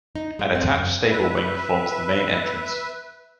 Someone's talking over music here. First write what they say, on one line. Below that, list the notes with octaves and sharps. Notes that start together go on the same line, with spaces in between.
An attached stable wing forms the main entrance.
D#4
G#3
C4
F#2
B4 E5